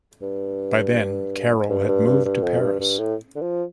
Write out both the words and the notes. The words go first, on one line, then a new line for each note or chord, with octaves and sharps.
By then, Carroll had moved to Paris.
G2
G2
G2
G2
G2
F2
G2
G2
A2
D3
F3